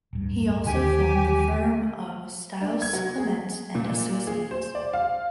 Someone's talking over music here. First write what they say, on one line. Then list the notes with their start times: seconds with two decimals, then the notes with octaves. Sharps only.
He also formed the firm of Stiles Clements and Associates.
0.13 D1 G2
0.66 D#2 D3 G4 G#5
2.62 D4
2.82 G#6
2.93 F#3
3.18 G#4
3.75 A#2
4.27 G#4
4.51 C5
4.75 D5
4.93 F5